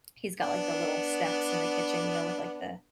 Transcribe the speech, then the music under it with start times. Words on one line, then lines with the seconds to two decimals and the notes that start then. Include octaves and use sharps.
he's got, like, the little steps in the kitchen, you know, with, like, the
0.41 B3 D4